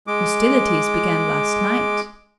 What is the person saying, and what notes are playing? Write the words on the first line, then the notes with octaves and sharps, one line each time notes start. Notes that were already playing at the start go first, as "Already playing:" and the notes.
"Hostilities began last night."
G#3 D6